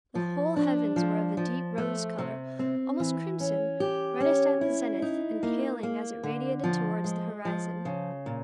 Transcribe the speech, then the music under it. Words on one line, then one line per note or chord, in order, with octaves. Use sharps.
The whole heavens were of a deep rose-color--almost crimson--reddest at the zenith, and paling as it radiated towards the horizon.
F3
D4
F3
F3
A3
C3
C4
E3
C#4
G4
C#4
E4
D#4
A#3
A#3
D3
F3
G#3
F3
C#3
A#2